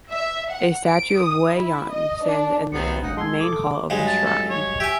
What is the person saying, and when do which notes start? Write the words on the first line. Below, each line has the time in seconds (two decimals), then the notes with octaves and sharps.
A statue of Wei Yan stands in the main hall of the shrine.
0.10 E5
0.49 F#5
0.87 D7
1.19 D#6
1.53 E4
1.90 D#5
2.23 D4
2.72 C2 F#3 B3 C4 G4 C#7
3.02 A1 A3 D4 D#4 F5 F#5
3.17 G#3 A#3 A5 C6 E6 G#6
3.40 E1 A3 A4 D6 D#6
3.90 G2 F#3 G#3
4.07 A5
4.25 A4
4.49 C#5
4.80 G4 E5 G#5